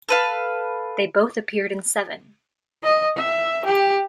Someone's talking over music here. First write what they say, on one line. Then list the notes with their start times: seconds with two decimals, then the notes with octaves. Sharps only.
They both appeared in seven.
0.09 A4 B4 F5
2.83 D#5
3.16 E5
3.65 G4